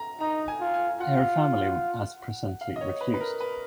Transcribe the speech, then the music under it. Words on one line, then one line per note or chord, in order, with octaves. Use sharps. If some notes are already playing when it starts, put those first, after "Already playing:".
Her family has presently refused.
Already playing: A#5
D#4 A#5
G#5
F4
G#5
F4 F#5
F5
D#5
C#5
B4
B4
A#4
B4